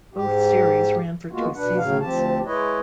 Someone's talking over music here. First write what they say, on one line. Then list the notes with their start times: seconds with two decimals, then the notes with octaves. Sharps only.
Both series ran for two seasons.
0.14 G#2 G4
1.32 G#3 A#3 B3 F4 F#4
1.54 B2 D4 B4 F#5
1.77 A2 C#3 F#3 F5
2.01 D2 F3 C4 G4 A5
2.45 G#3 E4 B4 C#5 D#5